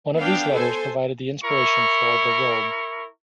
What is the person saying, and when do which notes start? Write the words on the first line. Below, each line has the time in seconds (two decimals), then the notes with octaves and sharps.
One of these letters provided the inspiration for "The Robe".
0.17 B3 D4 F5 G5
0.52 A4 C5 G#5
1.44 E4 A#4 C#6